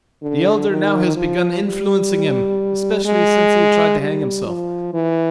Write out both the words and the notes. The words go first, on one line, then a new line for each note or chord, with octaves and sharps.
The elder now has begun influencing him, especially since he tried to hang himself.
D3
D#3
F3
G3
G#3
G3
F3
E3